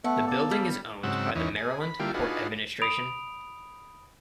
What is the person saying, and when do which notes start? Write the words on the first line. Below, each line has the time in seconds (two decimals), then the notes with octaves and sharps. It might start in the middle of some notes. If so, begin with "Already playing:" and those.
The building is owned by the Maryland Port Administration.
0.04 A3 B3 A4 F#5
0.27 A#3 A4 D5
0.51 G3
1.03 G#2 C#3 F#3 C4 F#5 E6
1.35 E2 E3 C#4 D#4
1.57 G#4
1.81 B5
1.99 D3 G3 A#3 E4 F4 G4
2.14 D4 D#4 F4 F#4 G#4 B4
2.82 B5 D#6 D7 F7